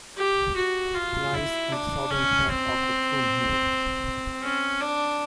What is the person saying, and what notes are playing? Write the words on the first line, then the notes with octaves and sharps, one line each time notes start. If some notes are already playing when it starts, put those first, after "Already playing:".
It lies on the southern part of the Chlum hill.
G4
F#4
F4
E4
D4
C#4
C4
C#4
D4